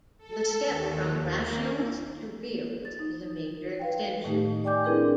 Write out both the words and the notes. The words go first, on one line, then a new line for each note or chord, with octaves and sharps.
The step from rationals to reals is a major extension.
A4
D#2
A#3
A6
D#4
B4 F5 G5
A2 D#3 A3 D#4 G4
D5 G5 G#5 D6 G6
C4 D4 E4 G#4 A#4 B4